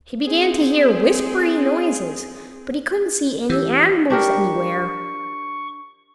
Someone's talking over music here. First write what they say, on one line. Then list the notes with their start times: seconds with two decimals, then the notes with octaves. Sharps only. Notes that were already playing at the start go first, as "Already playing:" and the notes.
He began to hear whispery noises, but he couldn't see any animals anywhere.
0.24 C4 G#4
3.50 E3 G4 E6
4.10 D4 G4 A#4 C#6